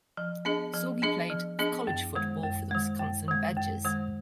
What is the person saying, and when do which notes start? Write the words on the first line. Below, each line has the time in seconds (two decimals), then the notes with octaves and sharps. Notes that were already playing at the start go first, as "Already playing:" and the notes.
Sorgi played college football for the Wisconsin Badgers.
0.17 F3
0.45 B3 D4 G#4 D#5
0.74 F3
1.02 B3 D4 G#4 D#5
1.30 F3
1.59 B3 D4 G#4 D#5
1.87 F#2
2.15 D#3 G#3
2.43 F#2
2.71 D#3 G#3
3.00 F#2
3.28 D#3 G#3
3.56 F#2
3.85 D#3 G#3